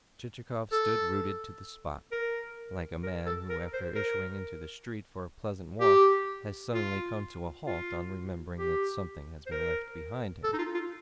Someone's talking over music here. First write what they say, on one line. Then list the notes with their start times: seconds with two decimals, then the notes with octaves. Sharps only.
Chichikov stood rooted to the spot, like a man who, after issuing into the street for a pleasant walk, has suddenly come to a halt on remembering that something has been left behind him.
0.72 A4
2.12 A#4
3.03 A#4
3.26 A4
3.50 A#4
3.73 C5
3.95 A#4
5.80 G4
6.74 F4
7.66 F4
8.58 G4
9.46 C5
9.51 A#4
10.44 A4
10.53 D#4
10.58 F4
10.74 F4